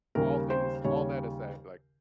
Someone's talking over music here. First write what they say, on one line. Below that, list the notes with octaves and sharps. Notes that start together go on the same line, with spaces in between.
all things all that aside, like,
D#2 C#3 G3 A#4
C5
D#2 C#3 G3 C#5